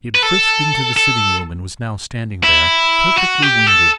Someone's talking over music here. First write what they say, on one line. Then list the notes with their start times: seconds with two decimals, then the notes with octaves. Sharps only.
He had frisked into the sitting-room, and was now standing there: perfectly winded.
0.15 B4
0.23 A4
0.96 A4
2.44 E4
3.18 F#4
3.42 G4
3.67 A4